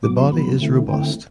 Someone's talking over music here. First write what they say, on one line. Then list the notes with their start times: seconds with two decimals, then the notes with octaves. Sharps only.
The body is robust.
0.03 B2 F#3 B3 D6
0.18 C6
0.32 B2 F#3 B3 B5
0.60 D3 A3 C4 E4
0.88 D3 A3 C4 E4 G5